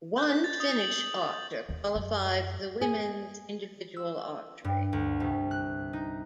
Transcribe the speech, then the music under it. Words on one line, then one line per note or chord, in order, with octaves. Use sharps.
One Finnish archer qualified for the women's individual archery.
G6
A6
D#6
F#7
D#2
F#2
G#4
E6
G2
D2
C2
F#6
D#4